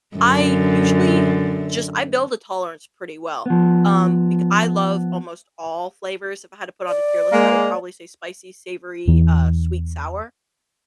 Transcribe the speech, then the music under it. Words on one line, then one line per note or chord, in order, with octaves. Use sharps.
I usually just I build a tolerance pretty well, um, becau I love almost all flavors, if I had to put on a tier list, I would probably say spicy, savory, uh, sweet, sour?
F#2 D3
F3 B3
D5
G#3 A#3
E2 E3